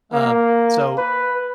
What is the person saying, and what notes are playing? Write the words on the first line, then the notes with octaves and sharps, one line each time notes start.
Uh, so,
A#3
B4